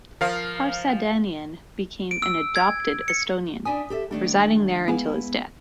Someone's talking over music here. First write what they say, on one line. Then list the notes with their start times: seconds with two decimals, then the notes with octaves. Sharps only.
Parsadanian became an "adopted" Estonian, residing there until his death.
0.21 F3 A#4 F5
2.11 D7
2.22 E6
2.56 G#6
3.08 C#7
3.65 D4 E4 G#5 D#6 B6
3.90 G4 A4 E5
4.11 D#3 G3 A3 D4
4.88 G#3 B3 E4 F5 G#5